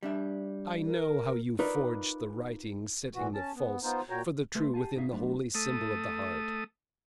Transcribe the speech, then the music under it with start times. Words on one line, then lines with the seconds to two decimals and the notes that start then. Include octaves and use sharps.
I know how you forged the writing, setting the false for the true within the holy symbol of the Heart.
0.03 G3 D4 E5
0.86 A#4
1.59 D#4 F4 A#4 B4 D5
3.15 A#2 E3 F#4
3.34 C#4 A5
3.55 B3
3.83 B3 D#4 F4 C5
4.10 A#2 F#4 C#5 G5 A#5
4.55 C#2 A3 B4 E5 B5 C6
4.74 G4 F5 G#5 A5
4.95 G2 D#4 G#4 E5 F5
5.12 F#3 G3 A3 B3 D4 F4
5.55 A3 D#6